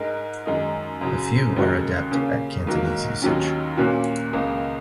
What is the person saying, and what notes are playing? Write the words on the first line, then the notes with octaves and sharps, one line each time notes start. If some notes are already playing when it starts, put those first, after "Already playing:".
A few are adept at Cantonese usage.
Already playing: G#2 G#3 D#4 A#4
F#2 D#3 G#3 D#4
F#2 C#3 F#3
D#2 C#3 G#3 F#4 A#4
C#3 A#3 C#4
G#2 D#3 F#3 A#3
D#2 D#3 F#3 C#4
A#2 A#3 C#4 F#4
C#2 C#3 A#3